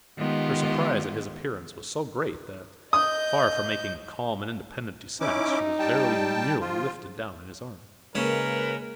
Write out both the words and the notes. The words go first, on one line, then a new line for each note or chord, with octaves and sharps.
Her surprise at his appearance was so great that, far from making a calm and independent descent, she was very nearly lifted down in his arms.
D#3 G#3 B3 F4 G4
D#5 D#6 G6
C#4 D#4 E4 D6
G3 G5 A5
F3 F4
C#3 G#3 A#3 C#4 A#4 B4